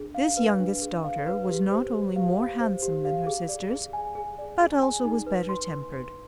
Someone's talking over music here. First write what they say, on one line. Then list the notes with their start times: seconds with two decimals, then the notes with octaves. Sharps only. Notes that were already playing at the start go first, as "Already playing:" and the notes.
This youngest daughter was not only more handsome than her sisters, but also was better tempered.
Already playing: D4 G#4
0.15 F5
0.37 B4
0.60 D4
0.82 G#4
1.04 F5
1.27 B4
1.49 G4
1.71 C5
1.93 G4
2.16 F5
2.37 G4
2.61 C5
2.82 G4
3.05 F5
3.27 G#4
3.49 D5
3.71 G#4
3.93 G#5
4.15 G#4
4.38 D5
4.60 G#4
4.82 G#5
5.05 D#4
5.26 B4
5.49 C6